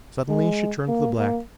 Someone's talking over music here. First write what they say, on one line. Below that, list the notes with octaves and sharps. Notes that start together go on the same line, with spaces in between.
Suddenly she turned to the black.
G#3
A#3
A#3